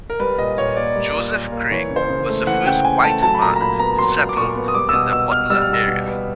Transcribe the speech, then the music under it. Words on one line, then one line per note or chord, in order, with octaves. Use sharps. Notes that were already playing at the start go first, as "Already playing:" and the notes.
Joseph Craig was the first white man to settle in the Butler area.
A#4
G3 B4
A#2 D#5
A#2 C#5
A#3 D5
G3
A#2
A#2
A#3
E3 C#5
C#3
C5
C#3
A3
E3 F#5
C#3 G5
C#3 G#5
A3 A5
F#3 A5
B5
A#2 A#5
A#5
A#2 B5
B3 A#5
F#3 C6
A#2
D6
A#2 C#6
B3
D#6
G3 D6
E6
B2 D#6
B2 E6
B3 F6
G3 E6
F6
B2 E6
B2
B3